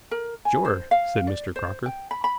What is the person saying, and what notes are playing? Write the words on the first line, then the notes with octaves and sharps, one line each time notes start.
"Sure," said Mr. Crocker.
A#4
G#5
C5
F5
D5
C5
G5
B5
B5